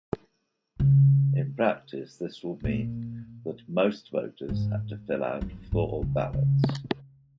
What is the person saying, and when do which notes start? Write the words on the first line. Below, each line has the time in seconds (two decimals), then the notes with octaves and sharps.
In practice this will mean that most voters had to fill out four ballots.
0.80 C#3
2.64 A#2
4.49 G#2
5.41 F#2
5.72 G#2
6.02 C#3
6.33 C#3